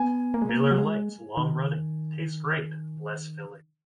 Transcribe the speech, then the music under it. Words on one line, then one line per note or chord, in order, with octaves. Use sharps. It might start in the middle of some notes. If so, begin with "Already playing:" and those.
Miller Lite's long-running Tastes Great!...Less Filling!
Already playing: B3 G#5
A#3
G#3
A#3
F#3
G#3
D#3